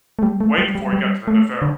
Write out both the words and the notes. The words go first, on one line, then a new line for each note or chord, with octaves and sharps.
way before he got to the NFL.
A3
G3
A3
G3
G3
G3
A3
D3